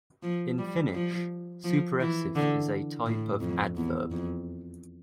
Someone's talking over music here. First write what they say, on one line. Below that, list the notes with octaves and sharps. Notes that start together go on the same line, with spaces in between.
In Finnish, superessive is a type of adverb.
F3
G3
F3
F3
E3
D3
A2
F2
E2
F2